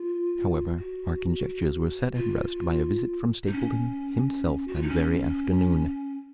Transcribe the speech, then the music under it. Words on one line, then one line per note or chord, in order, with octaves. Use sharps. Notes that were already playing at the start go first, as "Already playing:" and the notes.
However, our conjectures were set at rest by a visit from Stapleton himself that very afternoon.
Already playing: F4
F#4
F4
D#4
C#4
F#4
F4
D#4
C#4